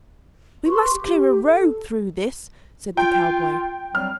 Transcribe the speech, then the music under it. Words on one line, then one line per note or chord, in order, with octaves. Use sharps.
"We must clear a road through this," said the cowboy.
B4 C6 C#6
G4
A4
F4 G5
F#3 G3 C4 F6